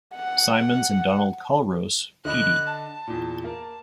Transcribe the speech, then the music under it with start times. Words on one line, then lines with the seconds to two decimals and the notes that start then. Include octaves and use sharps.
Simonds and Donald Culross Peattie.
0.15 F#5
2.25 D3 D#5 B5 F#6
2.68 A5
3.07 E2 A#2
3.44 A#3 A#4 A5